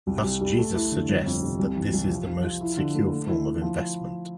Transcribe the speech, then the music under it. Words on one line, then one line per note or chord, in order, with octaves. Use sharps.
Thus Jesus suggests that this is the most secure form of investment.
C2
C2
G3
A3
E4
D3
G1
F2
C3
C2
E3
C2
F3
F3
F3
E4
D3
A3
A3
E4
E4
F3